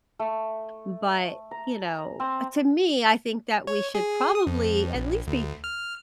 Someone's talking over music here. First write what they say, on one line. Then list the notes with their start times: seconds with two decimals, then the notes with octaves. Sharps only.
but, you know, uh, to me, I think that we should probably at least be
0.19 A3
1.51 A#5
2.20 C4
3.67 C#5
3.95 G#4
4.35 D#6
4.47 F2
4.95 A#1
5.27 D2
5.64 F6